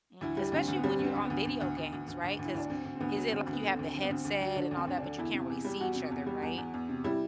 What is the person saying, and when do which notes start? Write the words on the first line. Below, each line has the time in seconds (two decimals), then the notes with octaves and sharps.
Mhm, especially when you're on video games, right? 'Cause is it like you have the headset and all that, but you can't really see each other, right?
0.21 D2 E4
0.37 G3
0.52 D2 C4
0.68 D2
0.76 B3
0.84 G3 C4
0.99 D2
1.04 C4
1.15 D2 C4
1.25 B3
1.30 D2
1.45 D2
1.62 D2
1.77 D2
1.93 D2
2.08 D2
2.23 D2
2.39 D2
2.45 E4
2.55 D2 D4
2.70 D2 C4
2.85 D2
2.95 C4
3.00 D2 B3
3.16 F#3
3.32 D2 C4
3.47 D2
3.53 B3
3.64 D3
3.73 C4
3.79 D2
3.94 D2 C4
4.02 B3
4.10 D2 C4
4.25 D2
4.41 F#3
4.56 D3 D4
4.71 D2
4.77 C4
4.87 D2
4.98 D4
5.03 D3
5.18 E2 E4
5.34 C3
5.49 E2
5.65 G3
5.80 E2 F#4
5.95 C3
6.11 E2
6.27 G3
6.42 E2
6.58 E2
6.74 E2
6.89 C3
7.04 G3 E4